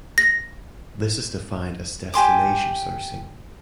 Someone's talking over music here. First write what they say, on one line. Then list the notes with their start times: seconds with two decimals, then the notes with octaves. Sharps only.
This is defined as "destination" sourcing.
0.18 A#6
2.14 G4 G#5 C6 D6